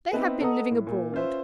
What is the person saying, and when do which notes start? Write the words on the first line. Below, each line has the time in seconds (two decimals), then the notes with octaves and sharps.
'They have been living abroad.
0.13 B3 C4 D#4 B4 E5 B5
0.41 A4 B4 D#5 F#5 A#5 D#6
0.71 A2
0.87 A#2
1.12 C#4 F4 B4 C5 E5